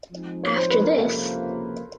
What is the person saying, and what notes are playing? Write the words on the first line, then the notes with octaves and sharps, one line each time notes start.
After this.
F3 G#3 C4 D#4
C#5
C5
B4
A#4
C#2 C3 F3 A#3 A4